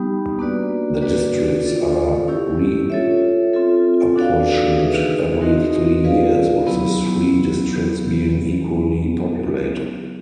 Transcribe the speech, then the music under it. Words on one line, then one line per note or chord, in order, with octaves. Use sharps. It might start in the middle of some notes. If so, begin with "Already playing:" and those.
The districts are reapportioned every three years, with the three districts being equally populated.
Already playing: G3 B3 D#4 G4
A#3 D4 F#4 B4 D5
D4 F#4 B4 D5
F4 A4 D5
C#4 E4 G4
F4 A4 C#5 E5
C4 F4 A4
D4 F#4 A4 D5 F5
D#4 G#4 B4 E5
C4 D#4 F#4 A#4 D#5
F4 G#4 B4 D5 F5
F#3 B3 E4